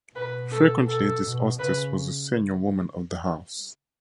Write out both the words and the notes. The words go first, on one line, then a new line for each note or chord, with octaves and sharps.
Frequently, this hostess was the senior woman of the house.
B2 B4
A4
A4
B2
C#3 B4